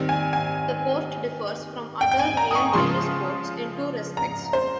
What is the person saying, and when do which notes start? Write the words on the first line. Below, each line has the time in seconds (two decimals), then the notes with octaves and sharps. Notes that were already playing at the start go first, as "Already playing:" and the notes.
The court differs from other real tennis courts in two respects.
Already playing: D#3 G3 C4
0.09 G#5
0.33 G#5
2.01 G5
2.11 G5
2.19 G#5
2.37 A#5
2.51 D#6
2.55 C#6
2.73 C#3 F3 G#3 C6
4.17 A#5
4.53 C5